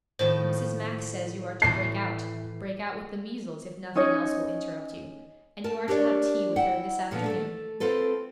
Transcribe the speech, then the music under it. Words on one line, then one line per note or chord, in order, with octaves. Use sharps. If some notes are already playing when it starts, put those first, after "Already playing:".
Mrs. Max says you are to break out, break out with the measles if nothing else will interrupt you, and you are to have tea with her this afternoon.'
A2 D#3 F3 C5
A2 E3 C7
C#4 D#4 C#5 D#5
A#4 A5
D4 G4 A#4 B4 C#5 D5
E4 F#5 G5
A#2 D3 F3 B3
A3 A4
C4 F4 A4 B4